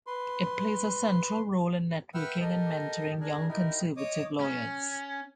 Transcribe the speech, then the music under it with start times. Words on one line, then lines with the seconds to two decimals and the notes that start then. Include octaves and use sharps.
It plays a central role in networking and mentoring young conservative lawyers.
0.07 B4 C6
2.14 B4 E5 F#5 G5 E6 F6
2.40 G4 A4 A#4 D#5
3.20 D4 G#4 A#4
3.48 D#4 E4 G4 A#4
3.97 C#5 D#5 D6 D#6
4.40 C#4